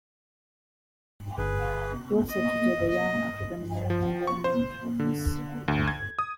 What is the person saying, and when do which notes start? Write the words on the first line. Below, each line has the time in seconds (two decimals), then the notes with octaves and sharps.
He also tutored a young African American boy named Rufus.
1.38 G1 G#4 B4
2.29 D#5
2.89 D#5
3.90 F3
4.27 C#6
4.44 C5
4.99 D3
5.68 D2
5.88 G#6
6.19 D#6